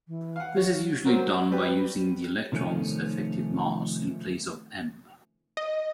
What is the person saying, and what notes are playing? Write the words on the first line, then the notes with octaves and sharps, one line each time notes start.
This is usually done by using the electrons' effective mass in place of "m".
E3
F5 F#5
F#3 C#5
F#3 F#4 A#4 C5
G3 G4 B4
C3 D#3 F3 A3 C#4
D#5